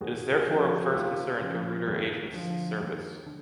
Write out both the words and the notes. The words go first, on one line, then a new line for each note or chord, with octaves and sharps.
It is therefore of first concern to Reuter Agence Service.
D#2 F#4 G#4
F#4 G#4
C#3 F3
F#4 G#4
D#2 F4 G4
C#3 F3
D#2
D3 F3
D#2
D3